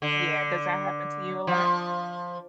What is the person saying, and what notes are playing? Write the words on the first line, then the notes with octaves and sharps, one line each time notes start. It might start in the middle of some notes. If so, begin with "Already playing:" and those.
yeah, does that happen to you a lot?
D3
F3